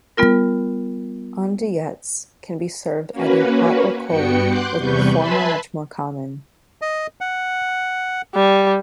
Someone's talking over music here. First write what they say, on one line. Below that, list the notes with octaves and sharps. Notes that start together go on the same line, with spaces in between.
Andouillettes can be served either hot or cold, with the former much more common.
G3 B3 F4 A#4
A#3 C#4 F#4 B4
G2 B3 F#4 G5 C#7
F#5 C6 D6 F#6 G6
E2 C3 G3 B4 C#6 G6
B4 E5 G#5 A5 B5 C6
D#5
F#5
G3